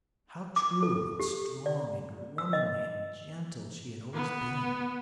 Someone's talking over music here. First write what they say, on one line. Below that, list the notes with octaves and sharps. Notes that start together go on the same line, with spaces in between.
How true and strong and womanly and gentle she had always been!
D6
A4
G4
D5
E6
D#5
B3